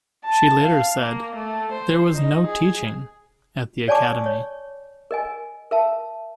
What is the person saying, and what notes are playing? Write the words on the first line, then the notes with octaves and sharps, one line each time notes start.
She later said, "There was no teaching" at the Academy.
A5
F5
A#3
A3
C5
D#4
G#4
C#5 D5 G#5 A5 C#6 D6
C#5
A#4 D#5 G#5
A#4 E5 A5